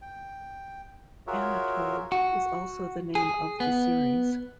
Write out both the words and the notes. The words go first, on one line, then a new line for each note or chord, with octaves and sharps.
"Anatole" is also the name of the series.
G5
F4 F#4 G#4 A#4 C#5 E5
F#4
G#4
B3